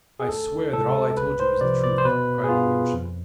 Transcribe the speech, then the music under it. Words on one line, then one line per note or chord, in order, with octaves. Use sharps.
"I swear that all I told you is the truth," cried Alyosha.
G#4
D2 A4
C3 G#3 A4
C2 B4
C5
C3 F3 D5
D5
C5
B2 B4
G#4
B3 F4
F2